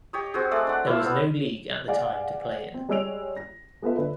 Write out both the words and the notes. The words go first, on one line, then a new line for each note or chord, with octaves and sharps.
There was no league at the time to play in.
G4 C#5 D#5
C4 F#4 G#4
G#3 A3 A4 D5
D4 F#5
E4 F5 E6
B3 C5
G#4 D5 F5 F#5
C4
G3 G#3 C#5 E6 D7 F7
A#6
G#3 B3 F4 A4 B4 E5
D3 B4 E5